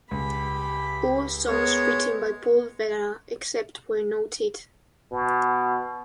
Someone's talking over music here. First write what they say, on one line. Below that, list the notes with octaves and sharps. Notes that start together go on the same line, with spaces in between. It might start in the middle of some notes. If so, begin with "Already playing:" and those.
All songs written by Paul Weller, except where noted.
C#2 G4 B5
G#3 B3 A#4 C#5
B2